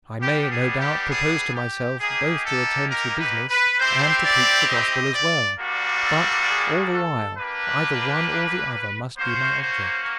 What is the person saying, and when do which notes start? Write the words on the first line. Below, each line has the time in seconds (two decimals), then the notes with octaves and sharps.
I may, no doubt, propose to myself both to attend to business and to preach the gospel as well; but, all the while, either one or the other must be my object.
0.21 G3 B3 D4 G4
0.51 G#4
0.80 G4
1.10 G#4
1.55 G4
2.00 A#3 D#4 G4 G#4
2.45 A4
2.90 A#4
3.20 B4
3.49 B4
3.79 C4 E4 G4 C5
4.24 D5
4.69 D#5
5.14 D5
5.59 G3 A#3 D4 F#4
6.03 A4
6.49 G#4
6.94 A4
7.38 A#3 D4 G4 B4
9.17 A#3 C#4 F#4 C5
9.62 C5